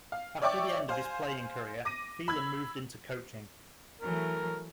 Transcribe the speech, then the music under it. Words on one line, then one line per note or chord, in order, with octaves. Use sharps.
After the end of his playing career, Phelan moved into coaching.
F5
C#5 D5 E5 G5 C#6 D6
C5 F5 G#5
D6 A#6 D#7
B5 E6 G#6
E3 F#3 A3 A#4